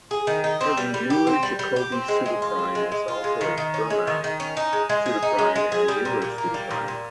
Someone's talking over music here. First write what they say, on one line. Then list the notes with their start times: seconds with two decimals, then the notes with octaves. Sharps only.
Every Euler-Jacobi pseudoprime is also a Fermat pseudoprime and an Euler pseudoprime.
0.11 G#4
0.27 D#3
0.44 D#4
0.61 C4
0.77 G3
0.94 G3
1.10 G4
1.27 C4
1.43 G3
1.59 G3
1.76 G4
1.92 C4
2.08 G#3
2.26 G#3
2.42 F4
2.59 C4
2.75 G#3
2.92 G#3
3.08 F4
3.24 G#3
3.41 D#3
3.58 D#3
3.74 C#4
3.90 G#3
4.07 D#3
4.24 D#3
4.40 C#4
4.57 D#4
4.73 G#3
4.89 G#3
5.06 G#4
5.22 D#4
5.39 G#3
5.56 G#3
5.72 G#4
5.88 G3
6.05 A#2
6.22 A#2
6.38 A#3
6.54 G3
6.71 A#2
6.88 A#2